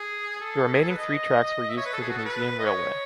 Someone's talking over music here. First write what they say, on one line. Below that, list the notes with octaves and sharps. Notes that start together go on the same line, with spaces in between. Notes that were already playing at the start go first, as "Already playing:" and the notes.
The remaining three tracks were used for the museum railway.
Already playing: G#4
A4
G#4
A4
B4
D#5
E5
C#5
B4
A4
G#4
F#4
A4
B4
D#5
C#5